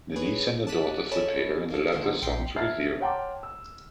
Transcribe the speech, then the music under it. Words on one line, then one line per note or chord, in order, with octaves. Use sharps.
Denise and their daughters appear in the latter song's video.
G#4 B4 C#5
A5 D6 F#6 B6 D#7
A4 C#5 D#5 G#5 A5 B5
A#3 A4
D3 D#3 F3 G#3 A#3 B3
A#1 G5 C6 B6 C#7
E5 A5 F6 G#6 A6 C7
C#5 F#5 G5 A5 C6 D6
E6